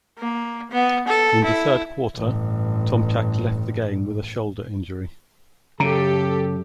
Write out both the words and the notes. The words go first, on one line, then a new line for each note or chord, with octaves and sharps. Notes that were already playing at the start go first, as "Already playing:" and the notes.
In the third quarter, Tomczak left the game with a shoulder injury.
A#3
B3
A4
E4
A1 G2
F#2 C#3 G4 A4 A#5